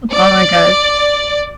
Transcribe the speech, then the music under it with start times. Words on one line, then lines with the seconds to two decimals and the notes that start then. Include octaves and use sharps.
oh my gosh.
0.11 D5